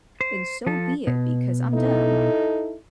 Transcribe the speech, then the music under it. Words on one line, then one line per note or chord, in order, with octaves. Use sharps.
then so be it, because I'm done.
C5
F3 A4
B2
D#4 E4 A4